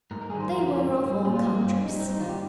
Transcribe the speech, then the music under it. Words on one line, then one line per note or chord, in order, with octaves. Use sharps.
They were of all countries.
G#2 A#4
A#4
G3 G#4
D#3
C5
F2 A#4
C#3 F3
G#2
G3
A#2 G#4
F4
G3 C4
G#3
A#3
G2 C4
C#4
G3 D#4
D#4
G2 C4
D#4
D#3 G3 F4
G4